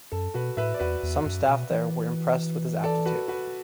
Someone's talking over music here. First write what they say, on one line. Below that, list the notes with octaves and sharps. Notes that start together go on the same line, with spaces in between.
Some staff there were impressed with his aptitude.
F#2 A4
B2 F#4 B4
A2 B4 E5
D5
E2 F#4 B4
E2
F#2
B2
E3
A4 D5
F#4 B4
F#4 B4